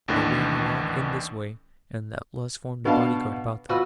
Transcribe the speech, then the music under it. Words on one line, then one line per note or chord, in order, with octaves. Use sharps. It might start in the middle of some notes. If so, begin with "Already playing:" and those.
They ran along in this way, and the outlaws formed a bodyguard about them.
A1 D#2 A2 D3 E3
B2 D3 F5 A5
F4 F#4 B4 E6